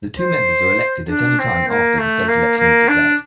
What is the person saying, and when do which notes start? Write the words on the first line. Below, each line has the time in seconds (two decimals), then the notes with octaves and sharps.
The two members are elected at anytime after the state election is declared.
0.19 C5
1.09 D4
1.39 C4
1.68 A#3
1.98 A3
2.28 A#3
2.58 A#3
2.88 D4